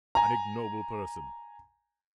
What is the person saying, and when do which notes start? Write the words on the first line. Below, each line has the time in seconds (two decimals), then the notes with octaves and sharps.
An ignoble person!
0.15 G#5 A#5